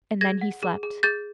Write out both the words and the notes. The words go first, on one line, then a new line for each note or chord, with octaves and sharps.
And then he slept.
G#4 G#6 A#6
F#5
G#4
G#4
G#4 G6 A6